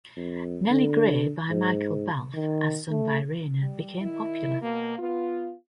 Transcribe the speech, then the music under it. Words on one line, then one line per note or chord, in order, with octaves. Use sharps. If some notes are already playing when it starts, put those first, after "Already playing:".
"Nellie Grey" by Michael Balfe, as sung by Raynor, became popular.
F2
D3
G#2
D#3
A3
G3
D#3 E4
B2 A#3
B3 F4